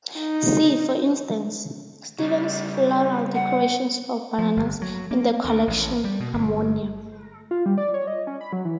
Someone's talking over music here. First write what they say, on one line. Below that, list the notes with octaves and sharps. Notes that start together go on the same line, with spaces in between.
See, for instance, Stevens's "Floral Decorations for Bananas" in the collection "Harmonium".
D#4
C#3 G3
F#5
F3
G1
F#3
A#3
D2
A1
G3
B2
G1
F4
G3
D5
C#5
D#5
C#4
B5
F#3
E3